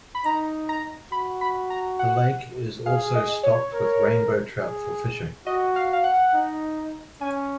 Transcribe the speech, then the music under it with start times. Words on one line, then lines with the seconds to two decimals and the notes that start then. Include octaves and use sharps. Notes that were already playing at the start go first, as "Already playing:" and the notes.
The lake is also stocked with rainbow trout for fishing.
0.15 B5
0.25 D#4 A#5
0.69 A#5
1.12 F#4 B5
1.41 B5
1.70 A#5
1.99 F#5
2.86 G#4 F5
3.15 D#5
3.43 C#5
3.73 A#4
4.60 G#4
5.46 F#4 D#5
5.76 F5
5.93 F5
6.04 F#5
6.33 D#4
7.21 C#4 G#5